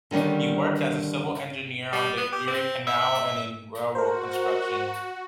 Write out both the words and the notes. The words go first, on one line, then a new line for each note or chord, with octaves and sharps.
He worked as a civil engineer on the Erie Canal and in railroad construction.
D3 D#3 G3 C#4 D4
G3
B3
G4
C4
E5
F#4 A#4 C5